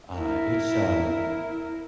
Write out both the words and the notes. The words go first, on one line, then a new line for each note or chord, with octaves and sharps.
uh, it's um,
E4 A#4